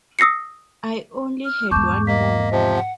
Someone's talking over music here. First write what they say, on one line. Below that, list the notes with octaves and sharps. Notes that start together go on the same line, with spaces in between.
I only had one more.
D#6 E6 A#6 C7 C#7
F6
E2 G#2 A5 C#6 D6 G6
A#3 D#5 B6
C3 F3
F#5